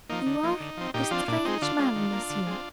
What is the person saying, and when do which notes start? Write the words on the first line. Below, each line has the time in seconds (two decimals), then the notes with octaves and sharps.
"You are a strange man, monsieur...."
0.09 F3 A#3 D#4
0.26 D3
0.43 F3 A#3
0.60 D3
0.77 F3 C4
0.94 A#2 D#4 G4
1.11 F3 C4 D4 F4
1.28 A#2 D4
1.45 G#3 C4 D#4
1.62 D3 D4 F4
1.79 G#3 C4
1.96 D#3
2.13 A#3
2.30 D3
2.47 G#3 C4